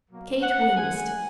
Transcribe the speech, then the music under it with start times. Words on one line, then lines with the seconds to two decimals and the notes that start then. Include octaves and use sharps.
Kate winced.
0.10 B2 F#3 A#3
0.42 F#5
0.76 F#2 D#3 G#3 G#5